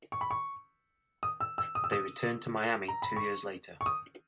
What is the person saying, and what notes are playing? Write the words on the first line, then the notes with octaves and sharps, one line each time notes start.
They returned to Miami two years later.
C#6
B5
C#6
D#6
E6
E6
D#6
E6
D#6
A#5
B5
C#6
C#6
D#6